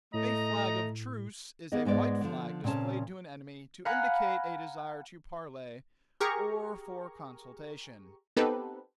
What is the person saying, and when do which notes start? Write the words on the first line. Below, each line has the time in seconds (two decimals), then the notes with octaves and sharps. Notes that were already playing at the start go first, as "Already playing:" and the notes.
A "flag of truce" is a white flag displayed to an enemy to indicate a desire to parley or for consultation.
0.14 A2 A3 D#5 A#5
1.72 A#3 B3 G4 G#4 D#5
1.85 G#2 G#3 B3 D5 D#5
2.21 D3 F3
2.64 A#2 C#3 C4 C#4 A5
3.85 F5 F#5 G#5 A#5 B5 F#6
6.20 G4 G#4 A#4 A#5 C#6
8.37 B3 C4 D#4 G4 A4 B4